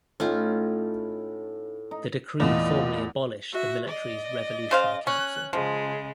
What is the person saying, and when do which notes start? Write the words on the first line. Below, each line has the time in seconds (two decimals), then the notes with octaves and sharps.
The decree formally abolished the military's revolutionary council.
0.20 A2 C#4 D#4 F4
1.91 D#4
2.40 E2 A#2 A3 E4 F4 D#5
3.53 F#4 E5
3.89 D5 D#5
4.71 C#3 C5 F5
5.07 C#4 F#6
5.53 C#3 F3 G#3